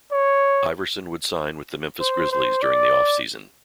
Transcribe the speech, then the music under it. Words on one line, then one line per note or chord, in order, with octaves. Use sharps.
Iverson would sign with the Memphis Grizzlies during the offseason.
C#5
C5
C5
D5